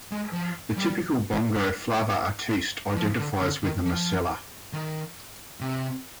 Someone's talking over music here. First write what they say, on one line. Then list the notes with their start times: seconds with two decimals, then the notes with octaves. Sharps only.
The typical Bongo flava artiste identifies with the "mselah".
0.12 G#3
0.33 F3
0.77 G3
2.97 F3
3.19 D3
3.42 D3
3.63 D#3
3.85 F3
4.73 D#3
5.61 C3